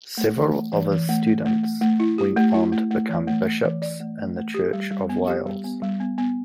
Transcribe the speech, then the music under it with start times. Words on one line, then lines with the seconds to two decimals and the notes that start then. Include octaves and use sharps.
Several of his students went on to become bishops in the Church in Wales.
0.18 A3
0.36 E3
0.55 A3
0.73 E3
0.91 E3
1.09 A3
1.27 A3
1.45 A3
1.63 A3
1.81 A3
2.00 E4
2.18 G4
2.37 A3
2.54 E4
2.72 A3
2.91 A3
3.09 E3
3.27 A3
3.45 A3
3.64 E3
3.82 D5
4.00 A3
4.19 A3
4.37 A3
4.54 G4
4.73 G3
4.91 G3
5.09 B3
5.28 G4
5.46 G3
5.64 B3
5.82 G3
6.00 B3
6.18 B3